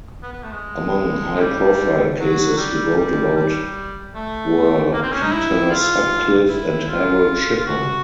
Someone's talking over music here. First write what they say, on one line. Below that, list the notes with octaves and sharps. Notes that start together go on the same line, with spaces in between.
Among high profile cases he wrote about were Peter Sutcliffe and Harold Shipman.
B3
B3
A3
G#3
G#3
G3
F#3
G3
G3
G3
A3
A#3
C4
C#4
D#4
E4
F4
E4
F4
F4
F#4